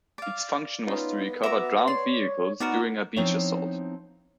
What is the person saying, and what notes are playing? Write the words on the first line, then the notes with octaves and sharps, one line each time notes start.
Its function was to recover drowned vehicles during a beach assault.
D5 F5
B3 C#4 D#4 F4
F#4 E5 A#5 D6
C#5 D5 C6
B3 D#4 F#4 A#4 D5 A#5
F3 B3 C4 D#4 E4 C#5